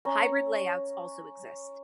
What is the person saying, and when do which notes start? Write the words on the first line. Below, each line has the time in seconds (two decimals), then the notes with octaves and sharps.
Hybrid layouts also exist.
0.05 C#4 A#5